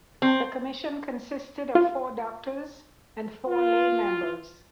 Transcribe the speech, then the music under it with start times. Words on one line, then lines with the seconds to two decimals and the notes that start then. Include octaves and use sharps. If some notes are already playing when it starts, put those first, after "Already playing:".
The commission consisted of four doctors and four lay members.
0.22 C4
1.75 F4
3.48 F4